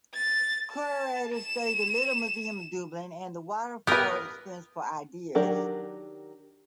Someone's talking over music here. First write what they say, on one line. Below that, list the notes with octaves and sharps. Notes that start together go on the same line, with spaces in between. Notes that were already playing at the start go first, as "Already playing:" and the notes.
Curators studied the Little Museum of Dublin and the Waterford Experience for ideas.
A6
A5
E7
B3 G4 A#4 B4
D#3 F#3 D4 G4 A#4